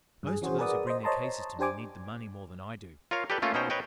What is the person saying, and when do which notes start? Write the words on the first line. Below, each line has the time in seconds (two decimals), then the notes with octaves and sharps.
Most of those who bring their cases to me need the money more than I do.
0.23 G2 G#4
0.42 E3 C#4 F#4 G#4 C5
0.59 G#4 A#4 B4 D5 F#5 D#6
0.87 C5 D#5
1.04 C5 C#5 D#5 A5 A#5 C6
1.59 D4 G4 C5 G#5 D6
3.11 F4 A#4 C#5 F5
3.30 G4 A4 B4 D5 G5
3.42 A3 A#3 C#4 F4 A4
3.54 B2 C#4 D#4 C5 G5 A#5
3.70 B4 C#5 D#5 G5